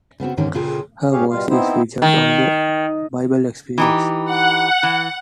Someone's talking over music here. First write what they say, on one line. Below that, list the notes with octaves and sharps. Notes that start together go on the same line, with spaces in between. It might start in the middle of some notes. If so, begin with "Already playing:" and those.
Her voice is featured on "The Bible Experience".
C#3 B3 C4 F#4
D#2 G#2 D3 D#3 C#4 G4
A#2 C#3 F4 G#4 A4 G5
C#4
G#2 C#4 G4 G#4 C#5 F5
B2 G3 F4 F5
B3 C4 D#4 E4 C5
D#3
E3 D#4 G4
F#5
E3